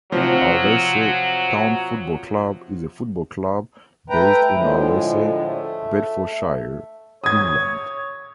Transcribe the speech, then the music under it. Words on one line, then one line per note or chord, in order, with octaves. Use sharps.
Arlesey Town Football Club is a football club based in Arlesey, Bedfordshire, England.
C3 F3 F#3
A3 B4 G5 A#5
A2 D3 F3 G#3
A3
C#5 D#6 G#6